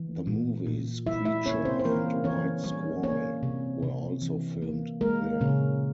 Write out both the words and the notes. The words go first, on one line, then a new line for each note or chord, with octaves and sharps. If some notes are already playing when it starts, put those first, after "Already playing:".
The movies "Creature" and "White Squall" were also filmed there.
Already playing: E3
A#2
A#2
G3 E4 E5
E4 E5
A#3 C#4 C#5
C4 C5
C5
E3 A#3 A#4
E3 C#4 C#5
G3 C#4 C#5
A#3 C#4 C#5
C3
C3
E3
A#3
G#3 A#3 A#4
A#2 C#3 C#4